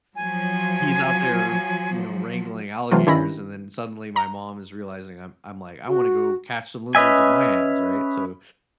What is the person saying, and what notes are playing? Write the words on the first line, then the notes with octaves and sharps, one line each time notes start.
he's out there, you know, wrangling alligators, and then suddenly my mom is realizing I'm I'm like, "I wanna go catch some lizards with my hands," right? So
F3 F#3 G#5
C3 E3 F#3 A3 F4
G2 D#3 C#4 E4 B5 A#6
A#5
F#4
C#4 B4 D#5 E5 G#5